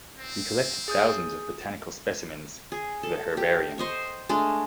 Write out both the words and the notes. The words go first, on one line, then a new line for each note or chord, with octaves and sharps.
He collected thousands of botanical specimens for the Herbarium.
C4
G#4 D#6 G6
G#4
A4
G4
C5 D#5 C#6
G#3 A3 D4